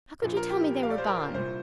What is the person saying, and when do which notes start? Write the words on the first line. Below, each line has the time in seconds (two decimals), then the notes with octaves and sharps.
How could you tell me they were gone?
0.22 A#1 A#2
0.37 A#4
0.50 G4
0.83 F5
0.90 D5
0.98 C5
1.07 A#4
1.34 C2 A#2 C5